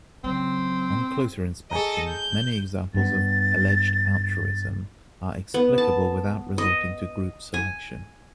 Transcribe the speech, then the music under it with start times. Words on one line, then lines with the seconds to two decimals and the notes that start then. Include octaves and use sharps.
On closer inspection many examples of alleged altruism are explicable without resorting to group selection.
0.24 C#3 F#3 C4
1.71 G#4 A4 D#5 G#5 A#5
2.09 G6
2.94 G2 B3 A6
5.54 B3
5.78 A5
6.58 D#5
7.54 G#5